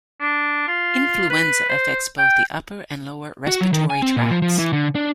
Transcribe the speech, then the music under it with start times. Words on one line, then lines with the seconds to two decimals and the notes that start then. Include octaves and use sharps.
Influenza affects both the upper and lower respiratory tracts.
0.21 D4
0.68 F4
1.30 B4
1.69 C5
2.18 G5
3.48 F#4
3.61 F#3
3.73 D#3
3.90 G#5
4.02 C4
4.17 A#2
4.30 F3
4.42 F3
4.58 E3
4.73 D3
4.95 D4